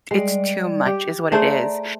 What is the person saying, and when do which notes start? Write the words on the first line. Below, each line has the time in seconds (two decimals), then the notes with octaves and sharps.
it's too much is what it is.
0.11 G3 G#3 D5
0.86 G4
1.32 A3 G#4 C5 D5 A#5